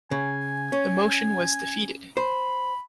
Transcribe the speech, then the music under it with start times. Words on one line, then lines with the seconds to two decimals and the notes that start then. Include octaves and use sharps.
The motion was defeated.
0.11 C#3 G#5
0.72 C#4
2.17 C5 B5